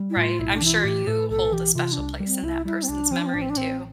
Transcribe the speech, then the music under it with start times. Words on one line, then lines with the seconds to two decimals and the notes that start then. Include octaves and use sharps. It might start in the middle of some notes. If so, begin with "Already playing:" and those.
Right. I'm sure you hold a special place in that person's memory too.
Already playing: G3
0.10 E4
0.16 A2 F4
0.39 B1 E4
0.56 D4
0.61 E3 E4
0.74 F4
0.84 A2 G4
1.07 A2 A4
1.30 B1 A4
1.52 E3 G4
1.75 C3 F4
1.93 D4
1.98 C2
2.20 G3
2.26 C4
2.43 C2 E4
2.65 G3 E4
2.83 C4
2.89 C2 D4
3.11 F3 C4
3.19 D4
3.26 C4
3.34 A1 D4
3.42 C4
3.50 D4
3.56 A1 C4